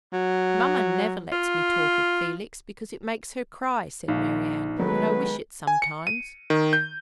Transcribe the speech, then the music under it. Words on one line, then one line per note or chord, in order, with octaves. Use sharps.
'Mamma never lets me talk of Felix, because it makes her cry,' said Marianne; but I wish it sometimes.'
F#3
F4
A#1 D#4 F5
D#3 F#3 G#3 A3 B3 B4
G#5
C#7
D#7
D#3
G6